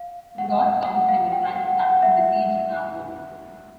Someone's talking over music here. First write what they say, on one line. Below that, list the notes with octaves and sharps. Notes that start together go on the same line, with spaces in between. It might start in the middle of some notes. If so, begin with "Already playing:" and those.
The Goth counts and the Franks started to besiege Narbonne.
Already playing: F5
F#5
F#5
F5
G5
F#5
F#5
E5